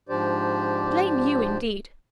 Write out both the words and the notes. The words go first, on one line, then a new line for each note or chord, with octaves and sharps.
Blame you, indeed!
G#2 F3 D4 G4 C5 D5